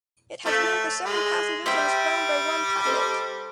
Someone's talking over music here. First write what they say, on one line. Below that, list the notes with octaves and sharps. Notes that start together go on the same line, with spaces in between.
It has room for seven passengers and is flown by one pilot.
F3 A3 A4 C#5 E5
G#3
G3 C5 E5 G5
A4 C5 D#5